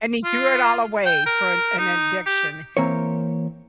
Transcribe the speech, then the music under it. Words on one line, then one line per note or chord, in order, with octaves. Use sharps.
And he threw it all away for an an addiction.
F4
G5
A#4
D#4
G4
E3 A#3 C4 A#4 C#5